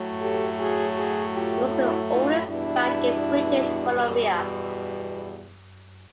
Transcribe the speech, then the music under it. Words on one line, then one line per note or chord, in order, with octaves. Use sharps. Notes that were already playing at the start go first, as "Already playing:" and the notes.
It was the oldest bank in British Columbia.
Already playing: A2 F#3 A3
G4 A4
F#4 G#4
F#4 G#4
F4 G4
E4 F#4
D#4 F4
E2 B2 G3 D4 E4